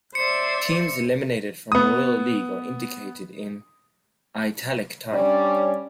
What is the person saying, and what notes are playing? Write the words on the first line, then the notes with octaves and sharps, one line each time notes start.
Teams eliminated from Royal League are indicated in "italic type".
C5 D5 E5 C#7
B3 D#6
G3 C#4 D4 C#5 D5